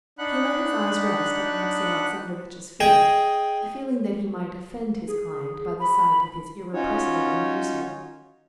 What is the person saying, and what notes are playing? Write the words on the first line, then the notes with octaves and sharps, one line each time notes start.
He let his eyes rest on Alexey Alexandrovitch's feet, feeling that he might offend his client by the sight of his irrepressible amusement.
D4 D#4 F#5 B5 F#6
G#4 D#5 G5
G#4
B5
C#4 D#4 F4 F#4 C#5